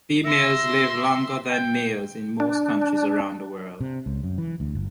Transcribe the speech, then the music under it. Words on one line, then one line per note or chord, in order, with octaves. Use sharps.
Females live longer than males in most countries around the world.
E5 C6 A#6
G5
D4
C3
C#2
F#2
E3
D2
G1